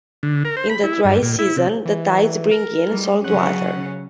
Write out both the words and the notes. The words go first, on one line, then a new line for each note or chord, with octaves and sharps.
In the dry season, the tides bring in salt water.
D3
A#4
C5
B5
E4
G2
A#2
E4
C3
E3
A#4
G3 G#3
C#3 F#3 C#4 F#5